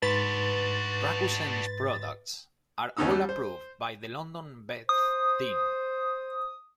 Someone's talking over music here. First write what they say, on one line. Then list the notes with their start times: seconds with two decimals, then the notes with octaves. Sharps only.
Rakusen's products are all approved by the London Beth Din.
0.02 G#2 D4 F#4 B4 C6 A6
2.97 D#2 B3 C#4 D#4 D#6 E6
3.11 G3
3.29 C5
4.89 C5 D#6